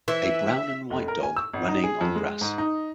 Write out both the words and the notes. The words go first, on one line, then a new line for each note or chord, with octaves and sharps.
A brown and white dog running on grass.
E3 E5
F1
A#4
G#5
E6
G#1
D#4
G#4
F2
G#3
G#2
D#4